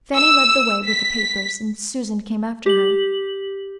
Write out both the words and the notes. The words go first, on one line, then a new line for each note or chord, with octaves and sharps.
Fanny led the way with the papers, and Susan came after her.
E6
B6
G4 F#7